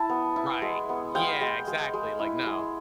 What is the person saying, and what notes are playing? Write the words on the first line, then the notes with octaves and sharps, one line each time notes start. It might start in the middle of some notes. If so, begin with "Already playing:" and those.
right, yeah, exactly, like, "No."
Already playing: E4 A5
B3
E4
G#3
B3
G#3 F5 G5
G#3
G#3
G#3
E4
G#3